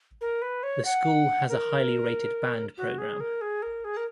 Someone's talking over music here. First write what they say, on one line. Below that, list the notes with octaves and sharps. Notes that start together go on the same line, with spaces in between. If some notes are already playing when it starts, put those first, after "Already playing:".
The school has a highly rated band program.
A#4
B4
C#5
F#5
A#4
F#4
G#4
A#4
G#4
A#4
G#4
A#4